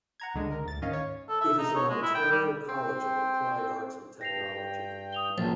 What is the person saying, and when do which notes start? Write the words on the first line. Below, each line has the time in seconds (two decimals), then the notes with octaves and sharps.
It is an Ontario College of Applied Arts and Technology.
0.20 F#5 A#5 G#6
0.35 C#2 D3 G#3
0.51 A#4
0.65 D2 A6
0.82 G#2 D#3 C#4 D#5 F5
0.93 C#5
1.29 A4
1.41 E5
1.58 D#4
1.75 C#5
1.89 G#3
2.02 E4
2.15 G5
2.31 G3
2.68 C4 G5
4.21 G2 G5 A#6 C7 F7
5.12 D#6 F7 G7
5.38 A#1 C#3 F#3 C4 A5 A6